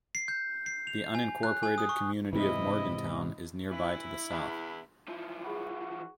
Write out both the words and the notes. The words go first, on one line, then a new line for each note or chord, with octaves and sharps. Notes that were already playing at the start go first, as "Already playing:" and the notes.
The unincorporated community of Morgantown is nearby to the south.
C7
G6
C7
F7
G#5
F#6
G#5
D#6
C#6
G#2 C3 E3 E4 D#5
E3 E4
E2
E3 F3
F#4 G#4 B5